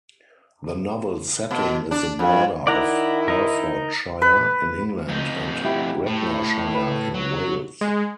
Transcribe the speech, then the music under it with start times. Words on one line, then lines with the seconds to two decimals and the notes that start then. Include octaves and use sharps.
The novel's setting is the border of Herefordshire, in England, and Radnorshire, in Wales.
1.51 B2
1.91 D4
2.19 F2
2.67 D#3 E4 D5 F#5 A#5
3.28 D#4 A#4
4.22 B4
5.08 F2 D#4
5.65 E4 G4 F#5
6.06 A2
6.74 B4
7.14 F#3
7.34 C#4
7.81 G#3